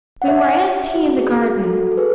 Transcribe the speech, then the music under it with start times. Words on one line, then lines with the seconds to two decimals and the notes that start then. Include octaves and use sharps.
We were at tea in the garden.
0.22 F#5
0.28 C#5 E5
0.95 F#4
1.18 G#4
1.41 F#4
1.63 F#4 A4
1.92 A4
1.97 G#4 B4